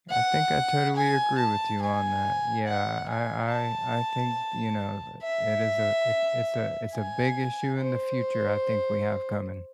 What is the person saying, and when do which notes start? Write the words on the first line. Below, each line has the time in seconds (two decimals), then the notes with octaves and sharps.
I think I totally agree with you on that, yeah, I I I think th you know, it is a i it's a it's a big issue in the future I think we have coming.
0.10 F#5
0.96 G#5
1.38 A5
1.81 G#5
2.67 F#5
3.09 G#5
3.52 A5
5.23 E5
6.94 G#5
7.79 C5